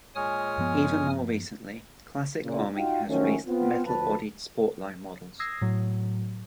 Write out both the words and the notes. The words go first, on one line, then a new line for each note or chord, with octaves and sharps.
Even more recently, Classic Army has released metal-bodied sportline models.
A#2 G#3 C#5 G#5 D#6 F6
G2 F3 B3
A#2 C#3
D#4 F4 F#4 F5 G5
D#3 F3 F#3 A3 C#4
B3 C4 F4
D2 F3 B4 A5
D#6 E6 G#6 A#6 C7
A2 F#3